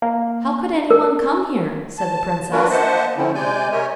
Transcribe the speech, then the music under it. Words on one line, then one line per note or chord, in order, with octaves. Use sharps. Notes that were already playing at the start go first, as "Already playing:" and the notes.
"How could any one come here?" said the Princess.
A#3
A#4
A5
A#3 D4 F4 F#4 A#4 B4
A#3 C5 D#5 E5 F#5 A5
D3 F3 C4 C#4 E4
C3 G#3 D5 G#5 G6
A#4 C#5 D#5 E5 G#5